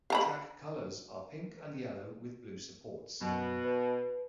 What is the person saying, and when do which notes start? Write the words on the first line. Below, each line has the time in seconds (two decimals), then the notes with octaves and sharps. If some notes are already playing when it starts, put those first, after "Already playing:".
The track colors are pink and yellow, with blue supports.
0.10 F5 A#5 B5
3.21 F#2 B2
3.64 B4